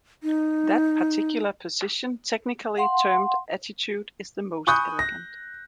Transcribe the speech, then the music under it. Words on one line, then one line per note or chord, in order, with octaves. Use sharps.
That particular position technically termed attitude is the most elegant.
D#4
F5 F#5 C6
G#5 B5 C#6 D#6 F#6 G6
A#6